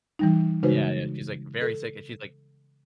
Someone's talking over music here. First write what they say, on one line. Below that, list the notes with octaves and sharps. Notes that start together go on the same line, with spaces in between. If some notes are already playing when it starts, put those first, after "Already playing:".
Yeah, yeah. She's like, very sick and she's like
E3 G3 D#4
C#3 G#3 D#4 F#4 B4 C5
A4